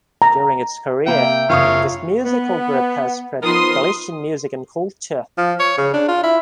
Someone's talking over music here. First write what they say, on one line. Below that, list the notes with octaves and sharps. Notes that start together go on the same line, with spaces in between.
During its career, this musical group has spread Galician music and culture.
A#5
C3 A#3 E5 G5
F#1 F4 C#5 F5 C#6 D#6
B3
F3 B3 D#4 A#4 C6 D#6
F3
C#5
C#3
D4
F4
E4